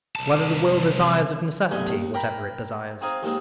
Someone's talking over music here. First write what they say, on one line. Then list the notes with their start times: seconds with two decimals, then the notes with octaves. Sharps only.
Whether the Will Desires of Necessity, Whatever It Desires?
0.16 C2 A5
1.71 B1 G2 G#3 A3 G#5
1.90 D#2
2.14 A#4 G5 A#5 B5
3.01 C4 D#4 G#4 F5
3.23 D#2 D#3 G#3 C4